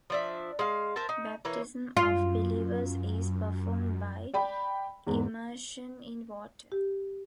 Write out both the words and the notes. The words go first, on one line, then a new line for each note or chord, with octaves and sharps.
Baptism of believers is performed by immersion in water.
F3 D4 E5
G#3 F5
A#4 C5 E5 A5
D#4
E3 A#3 C#5
F#2 F4
D5 G5 B5
E2 G#2
G4